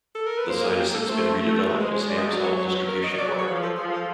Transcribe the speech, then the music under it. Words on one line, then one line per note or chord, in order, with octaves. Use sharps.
The site has since been redeveloped as Hams Hall Distribution Park.
A4
A#4
B4
A#3 C5
G#4
G4
A4
A3 C5
A3
G#3 B4
B4
C5
C#5
D5
D#5
F#3 D5
C#5
C#5
B4
A#4
D#5
C#5
F#3 D5
G#4
C#5
F3 B4
A4
F3 G#4
A4